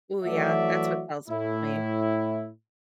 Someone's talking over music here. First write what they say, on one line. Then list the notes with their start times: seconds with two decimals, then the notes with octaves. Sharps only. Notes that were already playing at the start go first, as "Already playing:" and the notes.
Ooh yeah, that's what tells me.
0.25 E3 F#3 A3 F#4 D5 E5
1.29 A2 E4